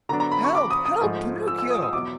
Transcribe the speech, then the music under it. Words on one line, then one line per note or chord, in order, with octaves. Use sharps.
"Help, help, Pinocchio!"
D3 F#3 B3 D4 A#5
A#5
B5
C#6
D6
D#6
D#6
G#2 F3 A3
E6
E6
D#6
D#6
E2 B2 F#3 D6